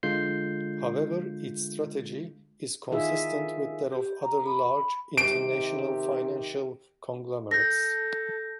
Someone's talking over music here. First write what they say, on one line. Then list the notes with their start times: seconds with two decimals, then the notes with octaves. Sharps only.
However, its strategy is consistent with that of other large, international financial conglomerates.
0.03 D3 G#3 F4 G6 C7
2.92 D#3 D#4 F4 G#4 E5
3.92 G4
4.23 A#5
4.46 B5
5.17 C3 D#3 G4 D7
7.51 A4 G6 A#6